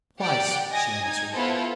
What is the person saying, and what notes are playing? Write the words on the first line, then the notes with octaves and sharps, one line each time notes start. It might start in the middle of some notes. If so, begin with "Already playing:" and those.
"Twice," she answered.
G4 D5 F#5 G5
D#5 G#5 D#6 A#6
D#4 G#6
B3 E4 F4 A4 C5